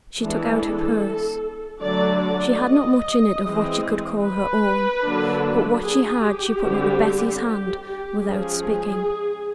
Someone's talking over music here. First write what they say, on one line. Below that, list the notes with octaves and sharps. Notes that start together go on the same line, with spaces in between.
She took out her purse; she had not much in it of what she could call her own, but what she had she put into Bessy's hand without speaking.
E3 G#3 B3 D4 A4
D3 F#3 A3 D4 D5
D5
D#5
E3 G#3 C4
B4
D3 F#3 A#3 D4
G#4
G4
D3 G3 C4
G4
G4
F3 G#3 C#4 G#4